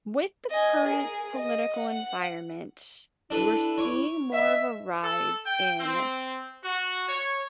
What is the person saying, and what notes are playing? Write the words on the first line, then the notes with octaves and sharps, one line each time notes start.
With the current political environment, we're seeing more of a rise in
D#5 G#5
G#4 A#4
D#5
F#5
D4 E4 A4 B4
C#5 C#6 D6
D#5 E5
A4
G5
C4
F#4
C#5